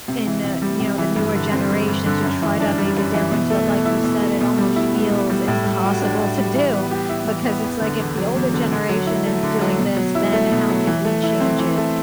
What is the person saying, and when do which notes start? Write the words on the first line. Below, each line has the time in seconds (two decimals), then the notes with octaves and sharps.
in, uh, you know, the newer generation to try to make a difference, but like you said, it almost feels impossible to do because it's like if the older generation is doing this, then how can we change it?
0.08 C3
0.27 E3
0.44 C3
0.62 G3
0.80 C3
0.98 E3
1.16 G2
1.34 D3
1.52 C4
1.70 G3
1.88 G2
2.06 D3
2.24 F#2
2.42 E3
2.60 D4
2.78 G3
2.96 F#2
3.14 E3
3.32 B2
3.50 A3
3.68 B2
3.85 E4
4.04 B2
4.22 A3
4.40 B2
4.58 G3
4.76 E4
4.94 B3
5.11 B2
5.30 G3
5.47 A2
5.66 G3
5.84 F#4
6.01 D4
6.19 A2
6.38 G3
6.55 E3
6.73 B3
6.91 G4
7.09 E4
7.27 E3
7.45 B3
7.64 E2
7.82 D3
8.00 E2
8.18 F#3
8.36 E2
8.53 D3
8.72 D3
8.89 F#3
9.07 E4
9.25 A3
9.43 D3
9.61 F#3
9.79 B2
9.96 F#3
10.15 E4
10.33 A3
10.52 B2
10.69 F#3
10.87 E3
11.05 A3
11.23 E4
11.40 C4
11.59 E3
11.77 A3